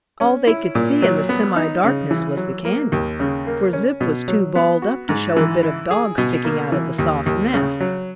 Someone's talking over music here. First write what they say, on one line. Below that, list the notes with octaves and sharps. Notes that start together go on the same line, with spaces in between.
All they could see in the semi-darkness was the candy, for Zip was too balled up to show a bit of dog sticking out of the soft mess.
C#4
E4
A#2
F#3
B3
D#4
C#3
E3
F#3
A#3
D#2
C#3
A#3
C#4
B2
F#3
B3
F#4
G#2
E3
E4
G#4
B2
A#3
E3
D#2
D#2
C#3
F#3